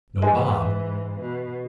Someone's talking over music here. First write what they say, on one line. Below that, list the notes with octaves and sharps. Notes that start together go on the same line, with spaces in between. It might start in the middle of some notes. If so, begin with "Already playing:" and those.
No Bob.
G#2 E3 G#3
B2